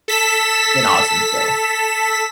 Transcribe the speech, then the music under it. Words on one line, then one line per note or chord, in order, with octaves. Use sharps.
an awesome skill.
A4 B6 E7